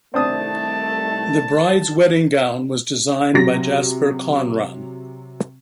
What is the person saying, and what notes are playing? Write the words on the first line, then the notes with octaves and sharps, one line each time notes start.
The bride's wedding gown was designed by Jasper Conran.
C2 D#3 A3 C4 D4 A5 D#6
C3 F#3 A#6